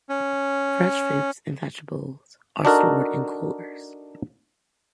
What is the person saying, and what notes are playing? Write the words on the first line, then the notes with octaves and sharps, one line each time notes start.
Fresh fruits and vegetables are stored in coolers.
C#4
D4 D#4 F#4 A4 A#4